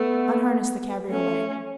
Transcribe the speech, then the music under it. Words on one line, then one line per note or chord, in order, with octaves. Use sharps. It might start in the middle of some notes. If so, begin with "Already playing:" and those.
Unharness the cabriolet.
Already playing: A3 B3
A3 C#4